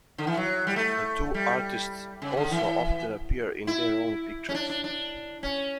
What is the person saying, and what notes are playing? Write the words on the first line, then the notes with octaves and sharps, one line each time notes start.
The two artists also often appear in their own "pictures".
D3
E3
F#3
G3
A3
G3
C#3
D3
E3
E4
C#4
D4
D4
D4
C#4